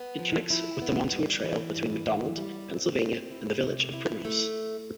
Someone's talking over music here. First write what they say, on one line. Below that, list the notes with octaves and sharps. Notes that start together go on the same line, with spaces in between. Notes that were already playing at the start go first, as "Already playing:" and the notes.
It connects with the Montour Trail between McDonald, Pennsylvania and the village of Primrose.
Already playing: B3
F3
E4
B3
G3
E3
G2
E3
G3
C4
C4
E4
C3
E4
A3